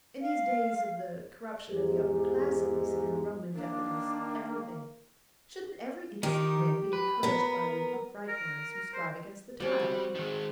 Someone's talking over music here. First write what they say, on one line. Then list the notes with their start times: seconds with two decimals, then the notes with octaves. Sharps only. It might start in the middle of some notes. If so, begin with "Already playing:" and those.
In these days of "the corruption of the upper classes," and Roman decadence of everything, shouldn't every innocent whim be encouraged by you upright ones who strive against the tide?
0.21 F5
1.69 E2 G#2 G4
3.55 D#3 A#3 D4
6.23 D#3 G4 A#4
6.93 B4
7.23 B3 A#4
8.28 A#4
8.74 A#4
8.93 C5
9.60 G3 C4 F#4
9.79 F#4
10.15 D#3 G#3